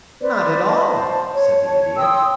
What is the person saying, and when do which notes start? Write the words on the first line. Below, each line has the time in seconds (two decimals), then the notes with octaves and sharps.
"Not at all," said the Idiot.
0.21 B4 C5 D5
0.67 D#5 A5
0.88 C5 A5
1.32 C#5
1.63 C#5 A5
1.97 G5 C6 D#6 E6